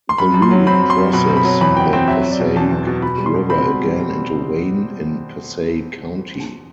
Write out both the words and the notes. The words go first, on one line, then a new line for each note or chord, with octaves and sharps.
The route crosses the Passaic River again into Wayne in Passaic County.
C6
F#2 B5
F#2
C6
F#3
C4 B5
F#2
C6
F#2
B2 B5
C4
B5
F#3
E2 B5
B2 G5
C4 G5
F#3 E5
F#3
D5
B2
E2 A5
E2
B2
B2 B5
G3
C6
B2
C4 B5
B2
G3